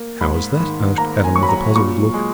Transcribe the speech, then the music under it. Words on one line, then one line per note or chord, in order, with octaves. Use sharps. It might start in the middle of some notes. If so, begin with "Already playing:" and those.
"How is that?" asked Adam with a puzzled look.
Already playing: A#3
G#2 B5
D#3
A#3 A#5
G#5
F#3 C#6
B5
A#5
A#2 C#6
G#3